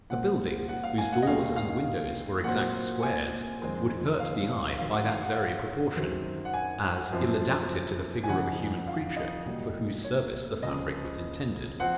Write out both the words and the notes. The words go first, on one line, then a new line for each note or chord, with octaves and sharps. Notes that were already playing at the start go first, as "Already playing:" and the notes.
A building, whose doors and windows were exact squares, would hurt the eye by that very proportion; as ill adapted to the figure of a human creature, for whose service the fabric was intended.
A#2 G#3 C4 F#5
F#5
F5
G#5
F#5
D#5
D#2 D#3 G#3 C#4 F5
F5
A#2 F#3 C4 F#5
G#5
F2 D#3 G#3 C4
F5
G#2 D#3 F#3 C4 F5
F#5
F5
F#5
F#2 D#3 F#3 C4
F#5
G#5
F#2 F3 C4
G#5
F2 C#3 F3 F#5
F5
D#5
C2 A#2 F#3
C#5
C#2 C#3 F3 C4 D#5
F3 C4 F#5